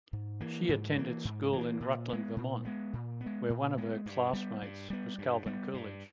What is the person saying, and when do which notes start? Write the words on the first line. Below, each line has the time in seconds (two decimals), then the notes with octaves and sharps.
She attended school in Rutland, Vermont where one of her classmates was Calvin Coolidge.
0.13 G#2
0.40 E3 A#3
0.69 G#2
0.97 E3 A#3
1.25 G#2
1.53 E3 A#3
1.80 A#2
2.09 G#3 B3
2.36 A#2
2.65 G#3 B3
2.93 A#2
3.21 B3
3.26 G#3
3.50 A#2
3.77 G#3 B3
4.06 G2
4.33 G3 B3
4.62 G2
4.90 G3 B3
5.18 G2
5.46 G3 B3
5.74 G2